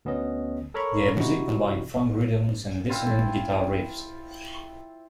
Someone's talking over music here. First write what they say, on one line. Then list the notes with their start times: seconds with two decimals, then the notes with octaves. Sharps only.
Their music combined funk rhythms and dissonant guitar riffs.
0.05 D2 B3 C#4 D#5
0.74 A4 A#4 C#5 A#5 B5 C#6
1.20 C3 D#4 E4 F#4
2.89 C4 E4 F4